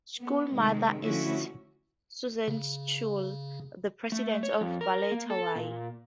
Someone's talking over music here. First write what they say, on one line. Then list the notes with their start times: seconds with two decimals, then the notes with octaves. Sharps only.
Schull's mother is Susan Schull, the President of Ballet Hawaii.
0.19 B3
0.52 C3 D#3 G#3
1.02 D3 F3 A3 C#4 E4 F#4
2.48 C#3
4.12 A3
4.43 C#5
4.61 F2
4.81 A#4
5.12 A#3
5.30 A4
5.56 A#2